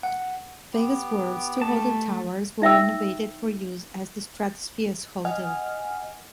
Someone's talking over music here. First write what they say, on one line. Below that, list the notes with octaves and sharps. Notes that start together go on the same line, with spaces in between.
Vegas World's two hotel towers were renovated for use as the Stratosphere's hotel.
F#5
B3 G4
A3 A5
D#4 E5 G5 E6
D#5 F#5 G#5 F6